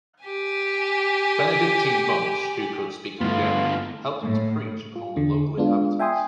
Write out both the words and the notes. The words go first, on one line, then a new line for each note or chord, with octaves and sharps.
Benedictine monks who could speak Hungarian helped him to preach among the local inhabitants.
G4 G#5
G2 D3 A3 B3 E4 F4
A2
F4
E2 D3
G#3 B3 D4 F4
E5 G5 G#5 C6 D#6